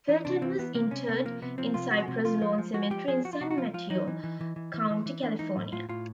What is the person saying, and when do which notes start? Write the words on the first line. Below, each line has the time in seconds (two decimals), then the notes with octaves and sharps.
Felton was interred in Cypress Lawn Cemetery in San Mateo County, California.
0.08 E3 D#4
0.25 C3 D4
0.42 E3 C4
0.58 E3 B3
0.74 C3 A#3
0.91 C3 C#4
1.08 C3 B3
1.25 F3 A#3
1.42 C3 B3
1.58 F3 C4
1.74 C3 F4
1.91 F3 F#4
2.08 C3
2.25 F3 F4
2.42 F3
2.58 F3
2.74 F3 F#4
2.90 F3 G4
3.08 F3 G#4
3.24 F3 F#4
3.33 F4
3.41 C3 F#4
3.51 F#4
3.58 F3 F4
3.74 F3 F4
3.90 E3 D#4
4.08 E3
4.24 E3
4.41 E3
4.56 E3
4.74 E3
4.90 E3
5.06 E3
5.23 E3 D4
5.39 E3 D#4
5.57 A2
5.72 A2 F4
5.89 A2 F4